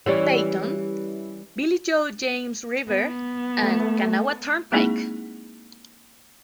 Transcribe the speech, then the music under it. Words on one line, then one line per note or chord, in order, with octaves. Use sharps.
Peyton, Billy Joe James River and Kanawha Turnpike.
E3 G3 C#4
B3
A3
G#3 A#3 C4 D#4 E4 G#4